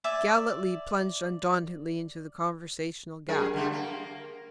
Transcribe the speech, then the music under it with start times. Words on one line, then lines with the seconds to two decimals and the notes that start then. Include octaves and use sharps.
Galletly plunged undauntedly into the conversational gap.
0.04 D5 E5 G#5
3.28 F#2 G#4 A#4
3.54 D3 G3 A3
3.72 A#3